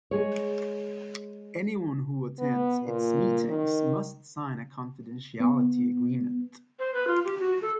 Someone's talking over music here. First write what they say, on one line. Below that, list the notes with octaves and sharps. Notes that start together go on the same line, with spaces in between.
Anyone who attends its meetings must sign a confidentiality agreement.
G#3 G#4 C#5
B3
A#2
D#3
B3
C5
B4
F4
G4
F#4
A4